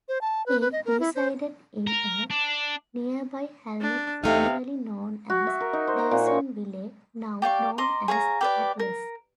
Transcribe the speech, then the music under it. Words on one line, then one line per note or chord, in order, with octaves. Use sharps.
He resided in a nearby hamlet formerly known as Davisonville, now known as Atlas.
C5
A5
B4
B4
D#5
A#4
E4
C5
A#4
D4
D4
E2 C3 A3 D#4 F5
F#4
E5
A#4
D#4
C5
A#5
A#2
C#5
G4 D5 F5 C#6
D#5 A#5 C6 D6
G#4 C#5 F5 A#5
G4 B4 D5
A#4